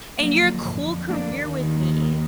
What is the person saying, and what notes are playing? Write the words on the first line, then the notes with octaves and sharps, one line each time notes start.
and your cool career with me.
F2 D3 F#3 A#3
A#3 D4
D#2 D#3